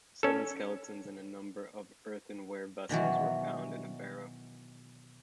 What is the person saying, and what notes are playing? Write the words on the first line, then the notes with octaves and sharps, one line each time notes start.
Seven skeletons and a number of earthenware vessels were found in a barrow.
C#4 A4
B2 D#3 E3 F#3